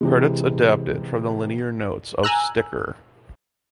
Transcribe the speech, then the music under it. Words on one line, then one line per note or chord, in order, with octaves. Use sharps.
Credits adapted from the liner notes of "Sticker".
C3 E3 G#3
G#5 A#5 E6 F#6